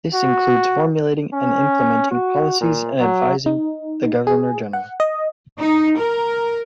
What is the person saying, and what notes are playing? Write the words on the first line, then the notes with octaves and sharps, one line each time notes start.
This includes formulating and implementing policies and advising the Governor-General.
F#4
C#4
F#4
A#2
F#3
D#4
G#4
F#5
D#5
D#4
A#4